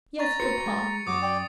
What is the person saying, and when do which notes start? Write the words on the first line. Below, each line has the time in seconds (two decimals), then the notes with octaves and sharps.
"Yes, papa."
0.19 A#5 C#6 A6
0.40 F#4 B4 C5 A6 C#7
0.66 G#3
1.07 F#2 F#4 D6 D#6
1.22 D5 G5